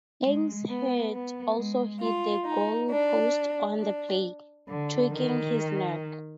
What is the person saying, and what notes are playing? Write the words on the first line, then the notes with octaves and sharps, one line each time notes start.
Ainge's head also hit the goalpost on the play, tweaking his neck.
G#3
B3
B3
G#3
F4
D#4
D4
D4
D3
D#3